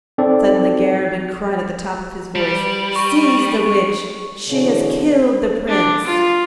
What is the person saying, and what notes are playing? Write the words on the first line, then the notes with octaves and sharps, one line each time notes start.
Suddenly, Garabin cried at the top of his voice, "Seize the witch; she has killed the Prince!"
C4 D#4 A4 D5
G3 D7
C#6
B2 D3 E3 E4 G#4 C#5
D4
F4